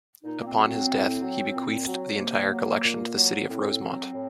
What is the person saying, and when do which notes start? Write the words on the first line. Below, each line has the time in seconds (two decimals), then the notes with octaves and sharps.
Upon his death, he bequeathed the entire collection to the City of Rosemont.
0.24 A#2 D#4
0.41 A#3
0.46 C4
0.57 F#3
0.67 C4
0.89 A2
1.21 F#3
1.54 A#2
1.86 F#3
2.18 C3 A#3
2.51 F#3
2.83 A#2
3.15 F#3
3.48 A2 C4
3.80 F#3
4.13 A2